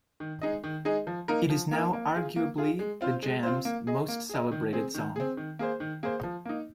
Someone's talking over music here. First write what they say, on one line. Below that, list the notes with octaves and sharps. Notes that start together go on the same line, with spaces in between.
It is now arguably The Jam's most celebrated song.
D#3
G#3 D#4 G#4 D#5
D#3
G#3 D#4 G#4 D#5
F3
A#3 D#4 A#4
F3
A#3 D#4 A#4
A#3
F4 G#4
A#3
F4 G#4
G#3
C4 F4 C5
G#3
C4 F4 C5
A#3
G#4 D#5
A#3
G#4 D#5
D#3
C4 G#4
D#3
C4 G#4
D#3
A#3 G#4 C5
D#3
A#3 G#4 C5
F3
A#3 D#4